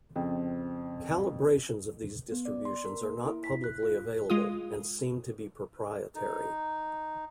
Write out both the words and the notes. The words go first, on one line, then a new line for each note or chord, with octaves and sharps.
Calibrations of these distributions are not publicly available, and seem to be proprietary.
F2 C#3 C4
B3
D5
C6
A#4
A#3
E4
B6
F#6
F4
G#3 F4 D#6
D#4